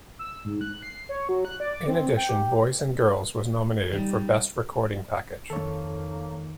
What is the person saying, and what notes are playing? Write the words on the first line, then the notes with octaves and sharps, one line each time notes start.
In addition, "Boys and Girls" was nominated for Best Recording Package.
E6
G#2
F#6
C7
C#5
F#3
F#6
D5
D6
C4
G5
G4
G3 D#4
F2 D#3 A#3 A4 C#5